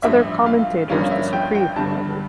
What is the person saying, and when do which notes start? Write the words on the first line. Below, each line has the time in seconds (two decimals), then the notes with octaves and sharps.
Other commentators disagree however.
0.03 A1 G2 F3 E5
0.46 F5
0.89 G1 G2 F3 A#3 C#4 F5
1.11 E5
1.33 G5
1.55 G5
1.76 G2 D3 G3 A5